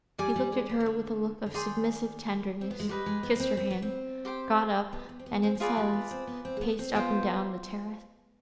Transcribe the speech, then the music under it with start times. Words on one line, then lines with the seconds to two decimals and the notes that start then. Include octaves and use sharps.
He looked at her with a look of submissive tenderness, kissed her hand, got up, and, in silence, paced up and down the terrace.
0.18 G3 D5 G#5 D6
0.36 G3
0.52 G#3
0.69 B3
0.80 D#3
0.86 D3
1.46 D3
1.54 D#3 G#4 D5 G5 C6
2.61 C4
2.71 B3
2.80 G#3
2.89 G3 G4 B4 D#5
3.06 G#3
3.23 B3
3.36 B3
3.40 C4
3.57 C4
3.70 B3
3.82 C4
4.25 G4 C5 G5
4.93 B3
5.09 B3
5.19 C4
5.26 B3
5.43 C4
5.56 C4
5.60 B3 F4 G#4 B4 D5
5.77 G3
5.93 B3
6.11 C4
6.27 B3
6.45 C4
6.57 G#3
6.61 B3
6.79 C4
6.95 B3 F4 C5 G5